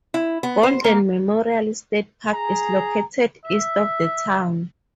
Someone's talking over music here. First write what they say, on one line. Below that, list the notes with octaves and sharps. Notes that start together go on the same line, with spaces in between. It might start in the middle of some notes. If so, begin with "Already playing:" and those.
Golden Memorial State Park is located east of the town.
E4
B3
C5
A#3
G#4 A#5
E5